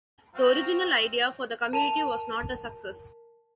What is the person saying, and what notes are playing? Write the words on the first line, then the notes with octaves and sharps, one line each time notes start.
The original idea for the community was not a success.
C4 F#4 F5
A#4 A5 D#7 F7